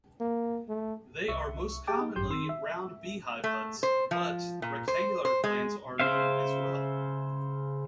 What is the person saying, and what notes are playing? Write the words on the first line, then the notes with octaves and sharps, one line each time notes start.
They are most commonly round beehive huts, but rectangular plans are known as well.
A#3
A3
C2 E5 C#6
G4 G#4 G5 A5 D6
D#4
G#1 F#2 G4 C6 G6
D#3 C6 E6
E5
A3
C5
F3
A#2
C5
C5
G#3
C#3 C5 E5 F5